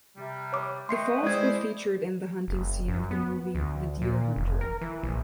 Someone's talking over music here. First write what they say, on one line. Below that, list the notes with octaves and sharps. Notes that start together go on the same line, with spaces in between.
The falls were featured in the hunting scene of the movie "The Deer Hunter".
C3 G3
C#5 D6
A3 B4 D#5 G5 C6 C7 C#7
G#3 A3 E4 C5 D5 G#6
F#1
F#2
B3
D2
A#2
F1
A#4
E3
A#1